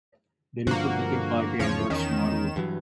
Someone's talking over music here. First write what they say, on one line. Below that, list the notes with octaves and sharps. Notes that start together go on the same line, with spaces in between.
The Republican Party endorsed Norwood.
G2 D3 F3 A#3 F#4
E2 G#2 C#3 F3 C#5
E2 D#3 C#4 E7
G2 E3 F#3